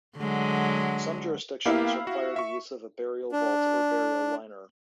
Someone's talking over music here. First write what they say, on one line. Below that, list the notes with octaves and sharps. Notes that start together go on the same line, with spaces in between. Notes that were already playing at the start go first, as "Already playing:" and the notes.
Some jurisdictions require the use of a burial vault or burial liner.
D3 F#3 G#3
A#3 B3 E4 G4 F5
F#4
E5 C#6
D4